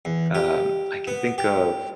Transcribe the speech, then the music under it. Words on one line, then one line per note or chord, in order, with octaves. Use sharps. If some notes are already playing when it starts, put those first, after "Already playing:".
uh, I can think of
E2
G4
B3
G4